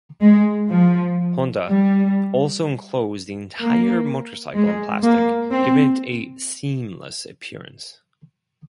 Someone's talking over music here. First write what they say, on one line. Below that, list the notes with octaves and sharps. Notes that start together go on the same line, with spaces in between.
Honda also enclosed the entire motorcycle in plastic, giving it a seamless appearance.
G#3
F3
G3
A#3
G#3
A#3
C4